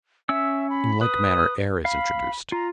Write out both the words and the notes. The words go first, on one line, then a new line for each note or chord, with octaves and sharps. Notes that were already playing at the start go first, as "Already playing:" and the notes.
In like manner air is introduced.
C#4 E5 E6
B5
B4 D#6
F5 B5
F4 A#5